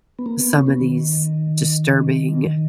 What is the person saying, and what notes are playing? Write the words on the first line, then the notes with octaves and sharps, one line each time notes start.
some of these disturbing,
B3
A#3
B3
C#4
B3
D#3
D#3